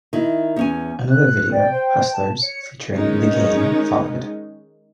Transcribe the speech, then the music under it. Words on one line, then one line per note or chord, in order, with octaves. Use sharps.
Another video, Hustlers, featuring The Game, followed.
D#3 E4
E2 C#4 G#5
F#6
D5 G5
C5
A5
C#5 C#7
D#3 G#3 C#4 D#4